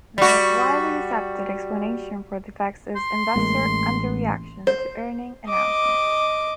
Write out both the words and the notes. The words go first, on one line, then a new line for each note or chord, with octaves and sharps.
The most widely accepted explanation for the effect is investor under-reaction to earnings announcements.
G3 F#4
C6
A1 G#3 A#3
C5
D#5 D6